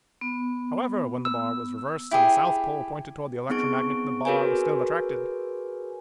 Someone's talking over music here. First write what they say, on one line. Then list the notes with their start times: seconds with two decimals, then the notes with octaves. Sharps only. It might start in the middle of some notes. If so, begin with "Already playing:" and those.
However, when the bar was reversed and the south pole pointed toward the electromagnet, the bar was still attracted.
0.21 B3
1.25 E6
2.11 E4 G4 G#4
3.49 B3 C4 D#4 G#4 C#6 D7
4.25 F#4 G#4 A#4 B4 C#5 G#5